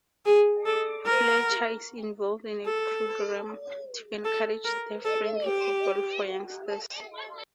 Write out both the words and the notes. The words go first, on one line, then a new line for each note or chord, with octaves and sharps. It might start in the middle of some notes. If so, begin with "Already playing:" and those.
Fletcher is involved in a programme to encourage "Deaf Friendly Football" for youngsters.
G#4
A4
A#4
A4
A4
A#4
A4
G4